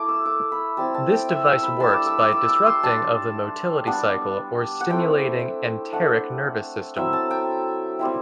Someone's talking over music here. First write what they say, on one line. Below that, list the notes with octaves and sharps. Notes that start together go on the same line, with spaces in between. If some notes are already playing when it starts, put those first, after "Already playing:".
This device works by disrupting of the motility cycle or stimulating enteric nervous system.
Already playing: A3 E4 D6
E6
D6
B5
G3 C4 E4 A5
A5
G5
E5
E5
B5
G3 D4 A5
D6
E6
D6
E6
D6
C6
G3 D4 A5
G3 B3 D4
F#5
A3 C4 E4 G5
A3 D4 F#5
F#3 C4 E4 E5
A5
G5
G3 C4 E4